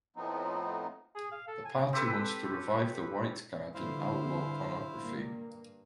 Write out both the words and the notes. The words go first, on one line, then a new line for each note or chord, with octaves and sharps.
The party wants to revive the White Guard and outlaw pornography.
F2 A2 F3 B3 C4 D#4
G#4
F5
A4
G#5
C4 G4 A4 B4
G2 D3 E4 C5 F5
G2 A#3